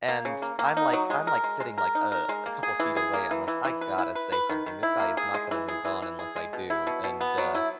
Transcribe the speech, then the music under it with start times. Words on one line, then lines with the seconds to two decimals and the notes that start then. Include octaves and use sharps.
And I'm like I'm like, sitting, like, uh, a couple feet away. I'm like, "I gotta say something. This guy is not gonna move on unless I do." And, uh,
0.08 A#3
0.25 C#3
0.42 A#3
0.59 A#3
0.77 D#4
0.93 F#3
1.10 G#3
1.27 A#4
1.44 G#3
1.60 G#3
1.78 A#4
1.95 D#4
2.12 A#4
2.29 G#3
2.46 A#3
2.63 G#4
2.80 E3
2.97 G#4
3.13 A#3
3.31 E3
3.48 E3
3.65 E3
3.81 B4
3.98 E4
4.15 B4
4.32 B4
4.49 D#3
4.66 D#3
4.83 E4
5.00 A#3
5.17 G#4
5.34 G#3
5.51 E3
5.68 G#4
5.85 E3
6.02 E3
6.19 G#4
6.36 G#3
6.53 B2
6.70 E4
6.87 B2
7.04 B2
7.21 B3
7.38 F#3
7.55 E4